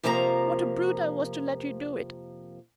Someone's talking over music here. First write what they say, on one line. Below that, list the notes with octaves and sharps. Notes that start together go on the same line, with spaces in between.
What a brute I was to let you do it!
F2 C3 F3 A#3 G#4 A#5